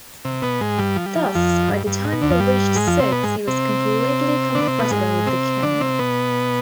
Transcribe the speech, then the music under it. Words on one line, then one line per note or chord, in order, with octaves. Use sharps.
Thus, by the time he reached six, he was completely comfortable with the camera.
C3
B2 B3
G#2 G#3
G2 G3
F3
G3
F3
G3
F2 F3
G2
G2
G#2
B2
D2 D3
F2 F3
G2 G3
G#2 G#3
F2 F3
C3 C4
B2 B3
G#2 G#3
C3 C4
D3 D4
B3
C3 C4
B2 B3
G#2 G#3
C3 C4
D3 D4
C3 C4
B2 B3